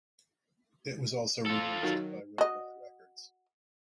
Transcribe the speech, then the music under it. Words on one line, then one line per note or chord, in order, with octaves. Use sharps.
It was also released by Roadrunner Records.
F4 A4
D#3 F#3
F#4 D#5